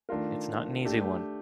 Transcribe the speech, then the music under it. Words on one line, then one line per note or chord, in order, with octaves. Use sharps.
It's not an easy one.
D#3 A3 D4 F4 A#4
A3 D4 G4